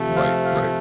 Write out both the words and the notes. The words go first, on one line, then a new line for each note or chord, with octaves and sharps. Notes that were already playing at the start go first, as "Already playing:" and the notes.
Right, right.
Already playing: C3 F3 A3
F5
F5